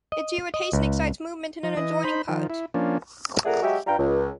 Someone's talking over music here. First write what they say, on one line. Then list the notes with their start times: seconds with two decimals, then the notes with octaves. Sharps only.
Its irritation excites movement in an adjoining part.
0.12 D#5
0.54 D#5
0.73 C#2
1.63 F3
1.77 E3 D#5
2.04 D#4 C5 B5
2.29 D#3 F3
2.50 E4
2.74 F3 A#3 C#4 D4
3.45 F2 A3 G#4 A#4 D5 F#5
3.62 F#3 G#3 F#4 G4 E5
3.87 G2 G3 F4 G5 A#5
3.98 C#2